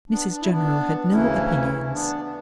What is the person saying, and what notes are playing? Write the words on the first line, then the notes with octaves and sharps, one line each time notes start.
Mrs General had no opinions.
B3 D4
D4
E4
B3 D4
D2 C#3 E3 C#4 E4
B3 D4
B3